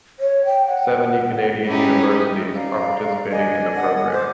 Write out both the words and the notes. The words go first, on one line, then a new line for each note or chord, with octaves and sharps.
Seventy Canadian universities are participating in the program.
C#5
G5
F#5
C#4 D#4 E4 G4
D5 F5 A#5
D4 D5 D#5 G#5
F#5
C5 D6